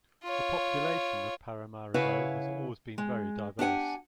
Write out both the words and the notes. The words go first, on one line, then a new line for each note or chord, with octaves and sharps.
The population of Paramaribo has always been very diverse.
F4 C#5
C#3 E4 B4 C#5 F5 F#5
G#3
D4 G4 F#5 G#5